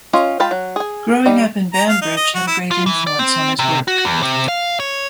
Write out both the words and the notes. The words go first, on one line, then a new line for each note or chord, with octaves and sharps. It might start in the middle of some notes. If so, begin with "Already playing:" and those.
Growing up in Banbridge had a great influence on his work.
C#4 F4 C#5 D#5
G#3 F4 G5 A5 B5
F#3
G#4 G#5
G3 D#4
A#5
F5
D#4
D#5
F#4
E4
F4
E3
D5
C4
C3
F#4
E2
C3
F5
C#5